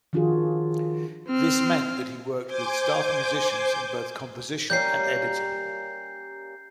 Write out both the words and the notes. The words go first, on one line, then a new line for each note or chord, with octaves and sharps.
This meant that he worked with staff musicians in both composition and editing.
D#3 F3 D4 F4 F#4 G#4
C4 F6
C5 G#5 D6 G6
G3 A#3 C#4 G6 C7